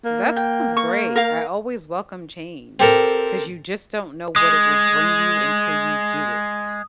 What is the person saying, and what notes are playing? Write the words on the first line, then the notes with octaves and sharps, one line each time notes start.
That sounds great, I always welcome change 'cause you just don't know what it will bring you until you do it.
A#3
G5
C#6
A#4 F5
C4 G4 A4 A#4
G#3 D#6